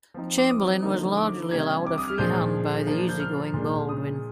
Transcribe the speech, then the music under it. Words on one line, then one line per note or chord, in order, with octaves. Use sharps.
Chamberlain was largely allowed a free hand by the easy-going Baldwin.
F3 C4 D#4
D6
D#6
D3 F3 A#3 D#4
D6
C3 G3 D4 G#6
D6
D#6
F6
A#2 F3 G#3 D4 G6
F3 A#3 D4
G6
F6
A#2 G#3 D4
D#6